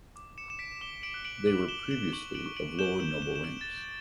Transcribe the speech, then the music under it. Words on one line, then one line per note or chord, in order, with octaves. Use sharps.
They were previously of lower noble ranks.
D6
C#7 E7
D6 E7
B6 D7
D6 E7 G7
D7 F#7
F#6
D7 F#7
D6 D7 F#7
E7 G7
D6
D7 F#7
C#6 D7 F#7
D7 F#7
C#6
D7 F#7
G6 E7 G7
D7 F#7
G6
E7 G7
E7
G6 D7 F#7
A6
G6